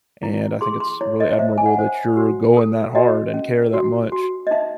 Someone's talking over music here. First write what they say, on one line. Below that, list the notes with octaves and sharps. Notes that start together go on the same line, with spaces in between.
and I think it's really admirable that you're going that hard and care that much,
E4
G#4 C6
C6
E4 C#5
D#5
C5 E5
G#5
F#5
C5
F#4
A4
F#4 D#5
C#4
F#4
F#4
D#5
D#4 E5